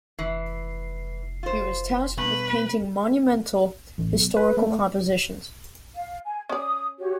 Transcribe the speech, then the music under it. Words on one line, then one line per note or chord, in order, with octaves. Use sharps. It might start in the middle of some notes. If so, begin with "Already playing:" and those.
He was tasked with painting monumental, historical compositions.
F1 E3 C7
F4 C5
G2 B2 B4
A1
B1
B4
A3
F5
G#5
C#4 D5 D#6
F#4 G4 C#5